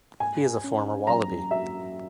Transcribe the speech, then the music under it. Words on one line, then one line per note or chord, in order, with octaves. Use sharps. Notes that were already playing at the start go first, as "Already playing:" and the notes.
He is a former Wallaby.
G#2 G#5
C#4
F#3 A#5
F#4 E5